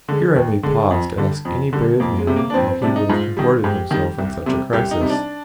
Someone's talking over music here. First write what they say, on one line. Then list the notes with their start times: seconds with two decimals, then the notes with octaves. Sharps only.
Here I may pause to ask any brave man how he would have comported himself in such a crisis.
0.08 D3 G#3
0.36 D#2
0.63 D3 G#3
0.91 F2
1.18 D3 G3
1.45 F2
1.73 D3 G3
2.00 F2 A#3
2.18 G#3
2.27 C3 G3
2.36 A#3
2.50 D4
2.54 F2 C4
2.68 C4
2.82 C3 G3 D4
2.96 D#4
3.09 G#2 F4
3.37 D#3 G3
3.64 G#2 G4
3.91 D#3 G3
4.18 C2
4.46 C3 G3
4.73 C2 G4
4.91 D#4
5.01 C3 G3
5.10 D4